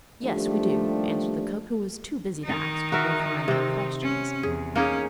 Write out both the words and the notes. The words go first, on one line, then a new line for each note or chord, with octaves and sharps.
'Yes, we do,' answered the cook, who was too busy to ask the new-comer many questions.
D#2 F3 G3 A3 D4 G4
D#3 D#4
F#4 A#4 E5
C3 C4
C#4
E2 G#4
A#3 C#4 D#4 G#4